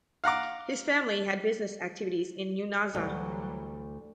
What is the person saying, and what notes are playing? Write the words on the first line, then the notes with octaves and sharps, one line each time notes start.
His family had business activities in Unaizah.
F5 F#5 A#5 D6
D2 E3 F#3 G3